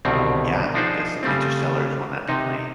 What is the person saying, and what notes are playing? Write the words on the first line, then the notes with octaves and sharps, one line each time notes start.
yeah, this Interstellar is one that definitely
C2 B2 D3 D#3 C4
F3 D4 D#4 G#4 C5
C#3 G3 A3 C4
C3 D#4